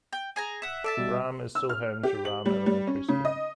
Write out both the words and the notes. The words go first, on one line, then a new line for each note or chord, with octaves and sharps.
Rhame is still home to Rhame Elementary School.
G5
G#4 G#5 A#5
E5 F#5
A4 D5 E5 A5
B2 G3
E6
F6
G4
F#7
G3
G3
C#4
C#3
D#5